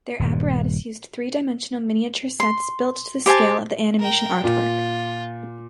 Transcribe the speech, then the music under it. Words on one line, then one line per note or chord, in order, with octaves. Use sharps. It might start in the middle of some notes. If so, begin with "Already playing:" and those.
Their apparatus used three-dimensional miniature sets built to the scale of the animation artwork.
D#1 G2
C6
G4 C5 G#5 A5
A#4 G5
A#2 F4